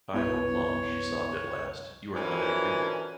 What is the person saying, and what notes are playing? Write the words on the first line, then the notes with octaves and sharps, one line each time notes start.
"I hope, Ma," she sobbed at last, "you are not angry?"
C2 F#2 B3 E4 B4 C#5
D3 E3 F3 C#4 F#4 A#4